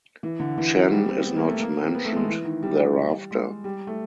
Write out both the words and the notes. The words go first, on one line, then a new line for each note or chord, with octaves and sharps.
Chen is not mentioned thereafter.
E3
D3
E3
F#3
G3
C4
B3
A#3
A3
A#3
C4
B3
A3
G#3
E3
D#3
G3
G#3
G3
A3